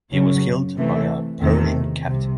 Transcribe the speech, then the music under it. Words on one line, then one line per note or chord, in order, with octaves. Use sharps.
He was killed by a Persian captive.
F#2 C#3 F#3
C3 E3 A3
E2 C3 D#3 A3
C2 C3